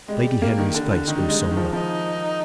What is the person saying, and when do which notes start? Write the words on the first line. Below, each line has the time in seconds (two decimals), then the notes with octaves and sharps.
Lady Henry's face grew sombre.
0.08 G3 G#3
0.42 A#3
0.58 D#3
0.74 D3
0.91 D3
1.07 D#3 D#4
1.18 G3
1.29 G#3
1.40 G#3
1.51 D#3
1.57 F3
1.73 F3 D#4